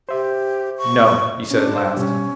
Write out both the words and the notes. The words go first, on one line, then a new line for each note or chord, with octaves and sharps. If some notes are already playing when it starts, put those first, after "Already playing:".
'No,' he said at last.
G4 C5 E5
C#6
C#4 D4
C5 E6
B2 G3 C#4